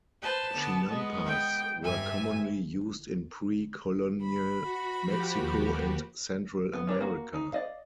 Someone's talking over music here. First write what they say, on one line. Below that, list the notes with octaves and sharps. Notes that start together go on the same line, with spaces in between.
Chinampas were commonly used in pre-colonial Mexico and Central America.
B4 C5 A5
D3 B3
G#3 B3
G5
G2 E5 G#5
B5
F#4
F3 F#4 G4
D#2 D#3
B3
C#4 D4 A#4 C#5
A#3 F#4
D4 D#4
D5 D#5 F5